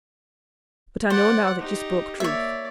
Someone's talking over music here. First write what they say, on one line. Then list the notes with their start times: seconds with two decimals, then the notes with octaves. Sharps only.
But I know now that you spoke truth.
1.10 C5 D5 F#5
1.59 D#4 G4
2.20 A#3 C#5 D5 E5